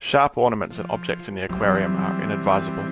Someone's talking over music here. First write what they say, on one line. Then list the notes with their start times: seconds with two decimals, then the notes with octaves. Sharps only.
Sharp ornaments and objects in the aquarium are inadvisable.
0.71 F3
1.49 E3 F#3 G3 C4